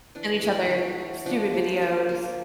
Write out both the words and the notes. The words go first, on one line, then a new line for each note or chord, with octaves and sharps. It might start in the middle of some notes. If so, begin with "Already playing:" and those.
and each other, stupid videos.
E3 D4
E3
F#3
A3
F3 D4
F3
A#3
A#3